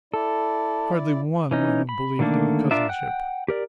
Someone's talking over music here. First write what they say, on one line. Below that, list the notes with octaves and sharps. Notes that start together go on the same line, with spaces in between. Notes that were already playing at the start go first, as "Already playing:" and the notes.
Hardly one among them believed in the cousinship.
E4 A4 D5
E3 C#4 D#4
B5
D3 D#3 A3 A#3 D4
D4 F4 A#4 D5 E5
F#5 G5 F#6
G4 A#4 D5